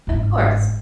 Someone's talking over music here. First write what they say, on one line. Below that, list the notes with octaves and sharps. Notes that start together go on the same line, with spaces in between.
Of course.
G1 G#2